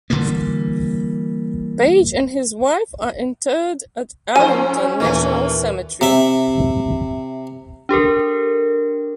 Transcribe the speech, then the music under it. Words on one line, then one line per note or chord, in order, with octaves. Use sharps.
Paige and his wife are interred at Arlington National Cemetery.
D3 E3 G3 A#3
G#2 F3 C#4 C5 G#5
D#2 A#2 E3 A3 A#3
C3 E5
D4 G4 A4 A#4